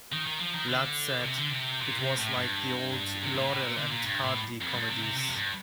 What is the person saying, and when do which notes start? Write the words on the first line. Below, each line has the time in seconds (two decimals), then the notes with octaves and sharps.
Ladd said It was like the old Laurel and Hardy comedies.
0.13 D#3
0.27 D#3
0.41 F3
0.55 D#3
0.68 D3
1.24 C3
1.38 D3
1.50 C3
1.81 A#2
1.99 C3
2.18 A2
2.37 G2
3.23 C3
3.36 A#2
3.48 A2
3.63 A#2
3.76 D3
3.90 A#2
4.04 G2
4.23 A2
4.61 F2
4.75 G2
4.89 C3
5.03 C3
5.17 C3
5.28 F2
5.35 G2